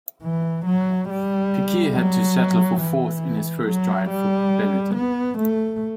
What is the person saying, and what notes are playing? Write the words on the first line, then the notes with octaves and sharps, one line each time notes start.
Piquet had to settle for fourth in his first drive for Benetton.
E3
F#3
G3
F#3
E3
F#3
G3
B3
A3